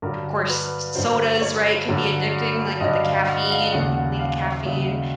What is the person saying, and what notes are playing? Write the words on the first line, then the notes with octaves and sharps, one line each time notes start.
'course, sodas, right, can be addicting, like, with the caffeine- people need the caffeine-
G2 D3 F#3 A#4
B4
G2 D3 F#3 C5
C#5
G2 D3 F#3
G2 D3 F#3 D#5
F5
F#5
F5
D#2 C#3 F#3 F#5
F#5
F5
E5
D#2 C#3 F#3 E5